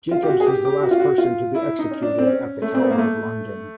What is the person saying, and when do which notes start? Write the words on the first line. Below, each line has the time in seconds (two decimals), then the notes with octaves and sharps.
Jakobs was the last person to be executed at the Tower of London.
0.11 F4
0.23 G4
0.29 F#4
0.40 G#4
0.47 G4
0.65 G4
0.82 F#4
0.91 F4
1.00 F#4
1.18 F4
1.55 E4
1.79 D#4
1.91 C#4
2.02 D4
2.18 C4
2.27 C#4
2.62 A3
2.75 C4
2.82 B3
2.91 A#3
2.98 A3